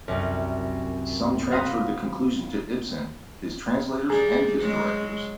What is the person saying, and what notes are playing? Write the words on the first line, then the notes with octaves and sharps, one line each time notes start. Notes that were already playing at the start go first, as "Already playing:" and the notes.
Some transferred the conclusion to Ibsen, his translators and his director.
C2 F#2
F#4 C5 F5 A#5 B5 D#6
G3 G#4 A#5
F#3 G#3